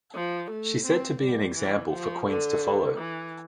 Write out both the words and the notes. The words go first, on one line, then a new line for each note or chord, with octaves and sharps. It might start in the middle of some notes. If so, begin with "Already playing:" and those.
She said to be an example for queens to follow.
F3
A3
C4
G3
E3
F3
D3
E3